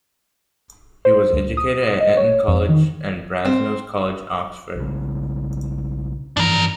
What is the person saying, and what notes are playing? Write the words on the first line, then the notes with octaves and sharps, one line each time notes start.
He was educated at Eton College and Brasenose College, Oxford.
C5
D2
D#6
D#5
C#5
F2
D#3
C4
B1 C#3
G2 E3 F3 D4 A#4